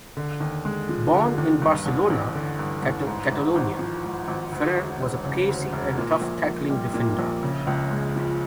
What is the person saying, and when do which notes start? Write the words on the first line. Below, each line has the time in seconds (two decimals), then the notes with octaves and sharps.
Born in Barcelona, Catalonia, Ferrer was a pacy and tough-tackling defender.
0.17 D3
0.40 D#2
0.65 G#3
0.89 F3
1.13 D3
1.38 D#2
1.62 G2
1.86 A1
2.10 A1
2.35 D3
2.59 G2
2.83 A1
3.07 G#2
3.31 G#1
3.55 G#1
3.79 F3
4.04 G#2
4.28 G#1
4.52 D2
4.77 E1
5.01 E1
5.25 C#3
5.49 D2
5.73 E1
5.98 A#2
6.22 A#1
6.46 A#1
6.70 G3
6.94 A#2
7.19 A#1
7.43 C#3
7.67 C#2
7.91 G#3
8.16 F3